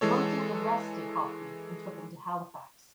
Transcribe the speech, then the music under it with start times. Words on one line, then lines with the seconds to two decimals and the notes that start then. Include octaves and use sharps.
Monckton arrested Hoffman and took him to Halifax.
0.01 E3 G#3 A4 C#5